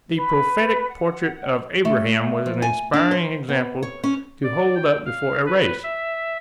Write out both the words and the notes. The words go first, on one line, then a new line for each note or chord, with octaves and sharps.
The prophetic portrait of Abraham was an inspiring example to hold up before a race.
B4
F#5
A3
F3
G#5
D4
C5
B3
C#5
C#4
D5
G5
F5
B4
E5